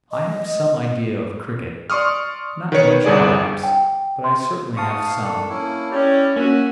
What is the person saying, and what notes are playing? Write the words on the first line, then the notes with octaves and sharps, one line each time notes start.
I have some idea of cricket--not much, perhaps, but I certainly have some.
D#5
D5 C6 C#6 D#6 F6
D#3 B4 C#5 C#7
G1 C2 G#4 D5
G5
C6
G#2 F5 A5 C#6 D#6
D#3 D4 A4
A#3 C#4 E4
C#4 E4 G4 C#5 D5
A#3 C#4 F#4 E5 G#5